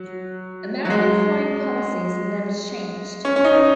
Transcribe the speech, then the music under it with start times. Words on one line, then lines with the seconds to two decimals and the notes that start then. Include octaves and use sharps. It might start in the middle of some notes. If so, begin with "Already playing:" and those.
American foreign policy's never changed.
Already playing: F#3
0.85 F#3
0.90 G#3
3.25 C#4
3.36 C#4
3.44 D#4